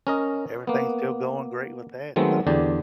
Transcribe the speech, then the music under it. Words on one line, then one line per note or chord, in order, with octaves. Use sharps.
everything's still going great with that so
C#4 A#4 D#5
A#3 B3
D#3 F#3 G#3 A3 B3 C4
E2 D3 D4 G4